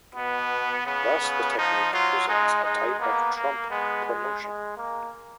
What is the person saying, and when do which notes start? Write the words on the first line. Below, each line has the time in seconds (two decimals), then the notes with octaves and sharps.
Thus, the technique presents a type of trump promotion.
0.15 B2 B3
0.86 C#3 B3
1.21 C#3
1.57 F3 D#4
1.93 F#3 F4
2.28 G#3 D#4
2.64 G#3 D#4
3.00 A#3 B3
3.35 A#3
3.70 G#3 B3
4.05 G#3
4.42 G#3
4.77 A#3